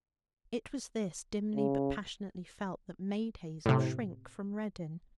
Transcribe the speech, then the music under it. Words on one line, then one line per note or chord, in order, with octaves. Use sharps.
It was this, dimly but passionately felt, that made Hazel shrink from Reddin.
C#3
A2 C3